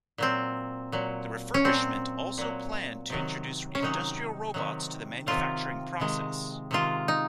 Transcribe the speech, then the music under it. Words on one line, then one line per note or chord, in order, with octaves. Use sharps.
The refurbishment also planned to introduce industrial robots to the manufacturing process.
A#2 F#3 C4
A#2 F#3
C#4
A#2 F#3 C4
A#2 F#3
C3 D#3 F#3
C#4
C3 D#3 F#3 D#4
C3 D#3 F#3
C3 D#3 F#3 F4
C3 D#3 G#3
C3 D#3 G#3 F4
D#4